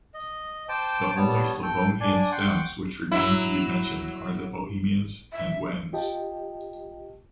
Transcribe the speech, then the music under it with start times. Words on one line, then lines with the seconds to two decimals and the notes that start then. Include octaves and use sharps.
The only Slavonian stems which remain to be mentioned, are, the Bohemians and Wends.
0.14 D#5
0.69 C5 G5 A5 D6
1.16 G3 B3 C#5 A5
1.63 A4 G5
2.00 D4 D5 G#5
2.32 F#5 G5 C6 C#6
3.12 F#3 E4
5.32 E5
5.93 F4 G4 D#5 G5 A5